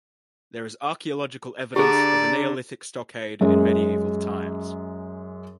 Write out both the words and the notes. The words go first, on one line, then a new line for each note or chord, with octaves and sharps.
There is archaeological evidence of a Neolithic stockade in medieval times.
D3 G4 G#4 D5 A#5
F#2 G#3